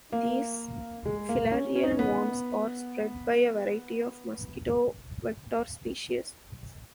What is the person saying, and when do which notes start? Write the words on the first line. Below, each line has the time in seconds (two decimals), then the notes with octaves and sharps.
These filarial worms are spread by a variety of mosquito vector species.
0.12 A#3
1.06 G#3
1.29 A#3
1.52 C#4
1.76 C#4
1.83 D#4
1.91 C#4
1.99 B3